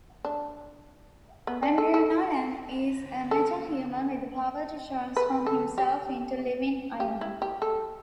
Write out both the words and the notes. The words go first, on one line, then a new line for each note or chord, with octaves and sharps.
Andrew Nolan is a metahuman with the power to transform himself into living iron.
D4
B3
D4
A4
A4
A4
B4
A4
G4
G4
E4
G4
A4